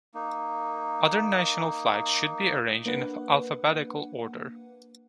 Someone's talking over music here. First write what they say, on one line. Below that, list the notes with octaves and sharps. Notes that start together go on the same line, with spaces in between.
Other national flags should be arranged in alphabetical order.
A#3 D#4
A#3 D4 B4 F#5